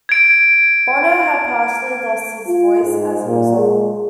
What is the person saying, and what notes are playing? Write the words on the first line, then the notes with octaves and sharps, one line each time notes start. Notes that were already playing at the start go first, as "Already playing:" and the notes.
Bono had partially lost his voice as a result.
G#6 D7
F4
G#2
A#2
G#3